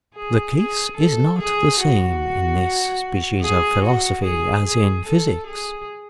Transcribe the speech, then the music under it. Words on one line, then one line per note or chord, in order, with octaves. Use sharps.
The case is not the same in this species of philosophy as in physics.
G#4
G#4
A4
G#4
F#4
G#4
F#4
G#4
G#4
A4
G#4